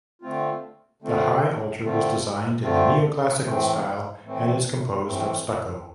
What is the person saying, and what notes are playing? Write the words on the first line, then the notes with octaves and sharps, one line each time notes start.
The high altar was designed in the Neoclassical style and is composed of stucco.
D3 A3 C4 F4
D3 A3 C4 F4
D3 A3 C4 F4
D3 A3 C4 F4
A2 E3 A3 C4
A2 E3 A3 C4
A2 E3 A3 C4